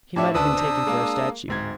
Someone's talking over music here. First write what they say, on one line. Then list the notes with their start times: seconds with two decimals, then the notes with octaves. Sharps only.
He might have been taken for a statue.
0.16 A2 D4 G4 C#5 E5
0.34 D2 D4 B4 A5 D#6 E6
0.57 C3
0.87 G#3 A#3
1.48 D1 G#2 G#6